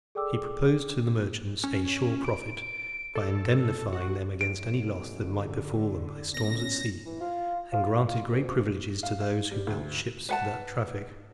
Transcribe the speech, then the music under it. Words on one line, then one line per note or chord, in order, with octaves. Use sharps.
He proposed to the merchants a sure profit, by indemnifying them against any loss that might befall them by storms at sea; and granted great privileges to those who built ships for that traffic.
G#4 A4 D5 G5 D6 E6
C#4
D7
A4
F#4
A1 F#2 D7
D3
B3 C#4 A#6
E3
F4
F4
F4
D2
F5
F5
G3
D2
B4 F#5 A5